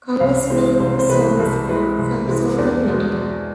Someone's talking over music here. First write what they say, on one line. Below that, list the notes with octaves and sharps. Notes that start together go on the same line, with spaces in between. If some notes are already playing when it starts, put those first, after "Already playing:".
Covers many Who songs and some solo material.
C2 F5
C3 E3 G#3 C5
C2 C5
C5
C3 E3 G#3 B4
C2 A4
C3 E3 G#3 B4
C2
C3 E3 G#3
E2 D4
B2 G#3